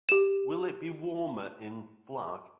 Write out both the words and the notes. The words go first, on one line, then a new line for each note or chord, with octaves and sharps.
Will it be warmer in Flag?
G4 E7